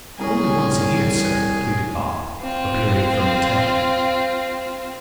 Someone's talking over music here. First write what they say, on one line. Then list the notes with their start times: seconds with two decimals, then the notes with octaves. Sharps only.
"It's only once a year, sir," pleaded Bob, appearing from the Tank.
0.19 C2 C#4 G#4 A#4 A#5
2.41 C4 F4